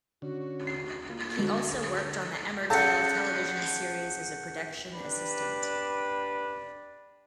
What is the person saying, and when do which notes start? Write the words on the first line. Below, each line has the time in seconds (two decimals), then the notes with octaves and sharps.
He also worked on the "Emmerdale" television series as a production assistant.
0.22 D3 C#4 F#4
0.67 C7
1.10 A#3 F4
1.39 D3 G#3 F#4 A4
1.73 G#4
2.70 C#3 A4 F#5 A5 G6 C#7
3.16 F#6
4.92 D4 G4 B4